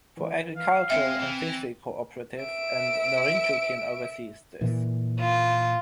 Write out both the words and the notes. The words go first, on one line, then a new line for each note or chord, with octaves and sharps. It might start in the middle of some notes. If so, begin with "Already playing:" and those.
For agricultural and fishery co-operative and Norinchukin, oversees this.
E3
F5
G#3 C4 E5 G5
E3
E5 D7
A#2 E3
F4